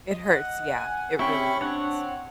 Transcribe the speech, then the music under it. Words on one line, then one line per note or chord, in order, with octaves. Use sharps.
It hurts, yeah, it really hurts.
D#5
F#5
G#5
C4 C#4 E4 G4 G5 B5 C#6
C4 D4 C#5 F#5